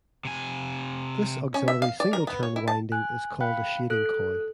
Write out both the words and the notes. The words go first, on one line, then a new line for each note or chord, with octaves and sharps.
This auxiliary single-turn winding is called a shading coil.
C3 G#5
C#4
E5
F5
D5
A#4
B3
C#5
E4
A5
G#5 F#6
F5 G5 B5 F#6
A4 F#6